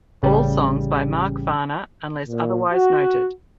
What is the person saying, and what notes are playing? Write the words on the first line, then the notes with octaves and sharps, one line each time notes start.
All songs by Mark Farner unless otherwise noted.
A1 C#3 G3
A#2
F#4